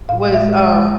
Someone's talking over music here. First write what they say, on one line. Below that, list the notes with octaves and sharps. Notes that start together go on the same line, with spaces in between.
was, um,
A2 F5
G#3
E5
G#3
G#3
G#3